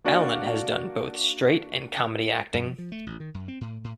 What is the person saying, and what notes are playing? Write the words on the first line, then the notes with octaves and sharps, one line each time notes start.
Allen has done both straight and comedy acting.
A#3 D4 F#4 D5 F5
F#2
F3
F3
A3
A1
D#3
F#2
C4
A2
A2